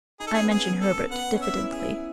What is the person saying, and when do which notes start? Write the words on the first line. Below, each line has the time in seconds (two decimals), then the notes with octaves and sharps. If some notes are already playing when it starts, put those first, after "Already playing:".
I mentioned Herbert diffidently.
0.20 D#4 G#4
0.27 A4
0.31 C#4 G#4
0.43 B3
0.51 C#4 G#4
0.81 A4
1.11 B3 F#5
1.34 C#4
1.42 E5
1.57 E4
1.72 G#4
1.80 E4